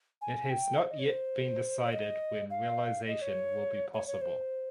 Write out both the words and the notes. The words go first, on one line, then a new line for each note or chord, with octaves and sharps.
It has not yet been decided when realization will be possible.
G#5
G5
C5
D#5
C#5
C5
C#5
D#5
F5
D#5
C#5
C#5
C#5
C5